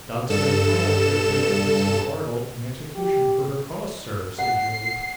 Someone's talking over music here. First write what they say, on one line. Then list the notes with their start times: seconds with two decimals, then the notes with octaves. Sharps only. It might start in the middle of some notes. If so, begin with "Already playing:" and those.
'Dodson and Fogg have taken Mrs. Bardell in execution for her costs, Sir,' said Job.
0.30 G2 A4 E7
2.96 G4
4.39 F#5 C7